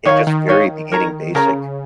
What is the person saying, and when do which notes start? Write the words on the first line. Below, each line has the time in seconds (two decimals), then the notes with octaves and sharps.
it just very beginning basic
0.05 D#3 D#4 C#5 F5
0.27 D#3
0.48 D#4 C#5 F5
0.92 A#4 C#5 A#5
1.35 C#3 A#4 C#5 A#5